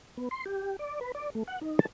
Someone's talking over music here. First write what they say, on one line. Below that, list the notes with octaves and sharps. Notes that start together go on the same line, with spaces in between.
Setting out, I had three reasons for writing in the style I did.
B3
C6
G4
D5
B4
D5
A3
F#5
D#4
A5